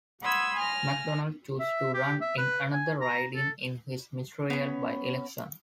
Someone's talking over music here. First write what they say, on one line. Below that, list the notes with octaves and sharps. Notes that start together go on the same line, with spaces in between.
Macdonald chose to run in another riding in his ministerial by-election.
F#5 B5 C6 D#6 E6 G#6
G#5 F6 A#6
E5
G4
E5
B4
G#5
A#5
A4
B3 C#4